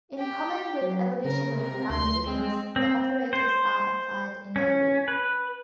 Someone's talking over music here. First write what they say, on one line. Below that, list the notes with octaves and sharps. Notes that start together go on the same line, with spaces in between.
In common with evolutionary algorithms, the operators are applied in a loop.
G4
F#3
C#3 A#4
C3 A#4
D2 C6
G#3 C4
C4
C5
C#4
B4